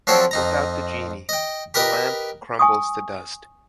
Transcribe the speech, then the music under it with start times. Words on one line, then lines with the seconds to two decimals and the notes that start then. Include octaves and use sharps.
Without the Genie, the lamp crumbles to dust.
0.07 F3 F#3 C4 A4 C#5 D5
0.31 F2 D#4 A#5
1.29 D#5 G5
1.74 G4 A#4 B4 D#5 G5
2.59 G#5 C#6 D#6